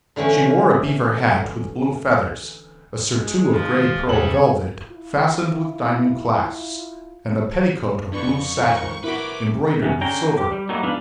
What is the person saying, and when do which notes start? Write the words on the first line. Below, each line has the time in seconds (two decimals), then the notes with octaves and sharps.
She wore a beaver hat with blue feathers, a surtout of gray-pearl velvet, fastened with diamond clasps, and a petticoat of blue satin, embroidered with silver.
0.16 D3 E3 A3 C#4
3.11 G#3
3.52 D#3 F3 F4
4.07 E2 G2 C3 G3 G#4 A4 C#5 F#7
4.88 E4 F4
8.13 F2 D4 B4 C#6
8.58 F2 G#2 D#3 F4 F5
9.04 E4 F#4 A#4 B4 C#5 E5 D6
9.82 C3 D#3 B3 C#4 A#4
10.01 D3 C#4 G#4 G5 A#5
10.38 G4
10.52 G3
10.69 F#3 G3 A3 A#3 D#4
10.83 G#2 F3 B3 D4 B4 F5